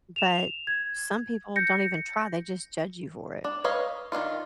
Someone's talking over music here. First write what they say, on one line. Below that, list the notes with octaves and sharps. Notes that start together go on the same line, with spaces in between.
but some people don't even try, they just judge you for it.
E7 F7
G#6
G6 A#6 C#7
D4
B4 C#5 D#5 F5
D#3 E3 D4 F4